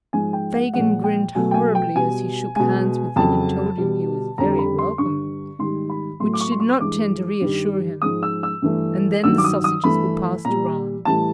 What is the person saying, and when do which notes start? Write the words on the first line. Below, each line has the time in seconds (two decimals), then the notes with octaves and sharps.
Fagin grinned horribly as he shook hands with him and told him he was very welcome, which did not tend to reassure him, and then the sausages were passed around.
0.13 G#2 F3 G#3 G#5
0.33 G5
0.54 F#5
0.74 A#2 F3 G#3 F#5
1.04 G5
1.35 B2 F#3 A3 G#5
1.51 G5
1.54 G#5
1.75 G5
1.95 B2 G3 G#5
2.56 B2 G#3 G#5
3.16 F2 C#3 F#3 A5
3.77 B2 G3
4.38 F2 D3 G3 A#5
4.59 B5
4.79 C6
4.98 G2 D3 G3 C#6
5.59 G#2 D#3 G3 C6
5.90 B5
6.20 A2 F#3 A3 C6
6.33 D6
6.41 C#6
6.52 C6
6.60 C#6
6.80 G2 E3 G#3 D6
7.41 G2 D#3 G3
8.02 G#2 F3 G#3 D#6
8.23 E6
8.43 E6
8.62 G2 E3 A3
9.24 G2 D#3 F#3 E6
9.38 D6
9.44 D#6
9.64 D#6
9.84 G2 E3 A3 B5
10.45 A#2 G3 A#5
11.05 A2 E3 G3 A5